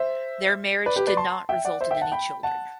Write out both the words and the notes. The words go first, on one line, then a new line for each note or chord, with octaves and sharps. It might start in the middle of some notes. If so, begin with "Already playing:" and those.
Their marriage did not result in any children.
Already playing: C5 E5
B4 D5
G4 B4
B4 D5
A5 C6
E5 G5
D5 F#5
C5 E5
E5 G5
F#5 A5
G5 B5
F#5 A5